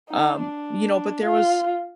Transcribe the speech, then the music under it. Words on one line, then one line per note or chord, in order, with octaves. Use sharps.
um, you know? But there was,
D#4
D4
F4